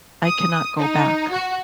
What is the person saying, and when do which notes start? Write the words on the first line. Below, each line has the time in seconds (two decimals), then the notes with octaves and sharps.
I cannot go back.
0.24 D#6
0.78 D#4
1.31 F#4